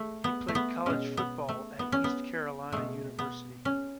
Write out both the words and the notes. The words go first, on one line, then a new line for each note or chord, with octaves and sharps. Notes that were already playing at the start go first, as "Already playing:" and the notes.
He played college football at East Carolina University.
Already playing: A3
B3
A3
B3
B2 G#3 C#4
B3
A3
B3
C#4
B3
B2 G#3 A3
B3
C#4